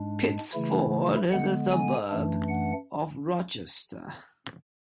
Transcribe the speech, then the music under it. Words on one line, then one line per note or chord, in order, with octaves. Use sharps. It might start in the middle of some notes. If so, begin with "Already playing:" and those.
Pittsford is a suburb of Rochester.
Already playing: G#2 G#3 D4
C#3 E3 A3 E4
D3 G#3 B3 F#5
G#5
F#2 E3 A3 D4
F#5